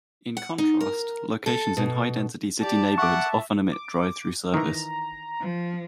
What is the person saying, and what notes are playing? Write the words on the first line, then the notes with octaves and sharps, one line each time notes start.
In contrast, locations in high-density city neighborhoods often omit drive-through service.
F#5
D#4
A#4
A4
B2
G4 D5 A5
E5 F#5 C#6 D6
D6
D#3 E3 A#5
F3